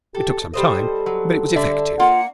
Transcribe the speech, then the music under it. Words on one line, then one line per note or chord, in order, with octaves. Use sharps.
It took some time, but it was effective.
G4 A4
G3 A4 C5 D#5
F#3
D3 D5 E5
A#3 F4 F#5